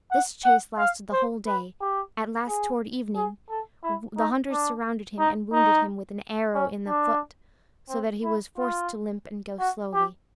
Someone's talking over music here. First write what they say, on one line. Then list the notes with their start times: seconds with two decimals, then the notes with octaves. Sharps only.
This chase lasted the whole day; at last, towards evening, the hunters surrounded him, and wounded him with an arrow in the foot, so that he was forced to limp and go slowly.
0.11 F#5
0.44 F#5
0.79 F5
1.12 C5
1.47 B4
1.81 G4
2.48 G#4
3.15 G#4
3.50 A4
3.83 E4
4.18 D#4
4.52 D4
5.19 D#4
5.53 D#4
6.55 C#4
6.88 D4
7.89 C4
8.24 E4
8.58 F4
9.59 F#4
9.93 G4